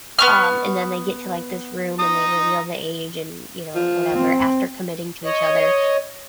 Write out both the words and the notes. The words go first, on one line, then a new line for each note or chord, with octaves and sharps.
um, and then they get to, like, this room and they reveal the age, and, you know, whatever after committing to each other,
B3 C#6 F6
A#5 D#6
F3
C4
C#5 D#5